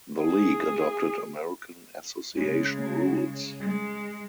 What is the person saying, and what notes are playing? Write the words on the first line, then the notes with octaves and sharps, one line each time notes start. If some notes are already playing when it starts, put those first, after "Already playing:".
The league adopted American Association rules.
G#4
C#3 G#3
G#3